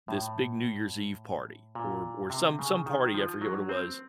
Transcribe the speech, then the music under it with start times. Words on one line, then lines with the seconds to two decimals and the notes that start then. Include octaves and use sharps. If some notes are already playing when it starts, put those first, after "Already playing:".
this big New Year's Eve party or or some some party, I forget what it was,
0.08 A2
1.75 A#2
2.30 C3
2.59 C#3
2.86 D#3
3.14 F3
3.41 F#3
3.69 C4